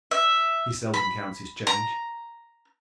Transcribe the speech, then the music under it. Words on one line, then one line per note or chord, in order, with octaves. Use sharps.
He seldom counts his change.
E5
B5
A#5